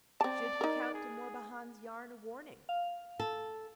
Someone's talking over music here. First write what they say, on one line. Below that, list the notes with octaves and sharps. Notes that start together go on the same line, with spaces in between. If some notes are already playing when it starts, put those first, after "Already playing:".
Should he count De Morbihan's yarn a warning?
C4 D5 A5
D#4 A#4
G#4
F5
A4